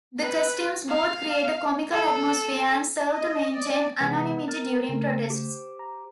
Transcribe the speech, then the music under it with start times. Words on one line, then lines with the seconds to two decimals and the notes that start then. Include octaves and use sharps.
The costumes both create a comical atmosphere and serve to maintain anonymity during protests.
0.20 B4
0.88 F5
1.92 A4
3.08 D#5
3.50 D5
4.00 C3 E3 G#3 B3 B4
4.48 A#4 F6 A6
4.89 C#3 A3
5.30 G4 C5
5.79 A#5